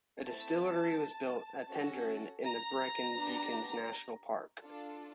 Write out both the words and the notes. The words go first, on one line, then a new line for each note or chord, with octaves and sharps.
A distillery was built at Penderyn in the Brecon Beacons National Park.
A3 C4 E4 A5
C#4 F#4 A4
A#5
B3 D4 G4
D4 F4 A4